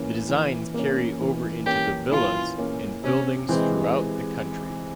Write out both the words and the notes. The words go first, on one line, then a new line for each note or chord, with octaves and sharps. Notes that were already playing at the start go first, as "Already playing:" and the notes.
The designs carry over into the villas and buildings throughout the country.
Already playing: E3 A#3 C#4
E3
A#3 C#4
E3
A#3 C#4 G4
E3 F4
A#3 C#4
C3 C#4
E3 G#3 C4